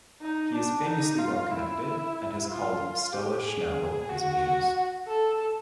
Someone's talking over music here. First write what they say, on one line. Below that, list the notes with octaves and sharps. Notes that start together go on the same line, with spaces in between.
He is famously well-connected and has called Stella Schnabel his muse.
D#4
D4
D#4
F4
E4
F4
G4
G#4
F#4
A4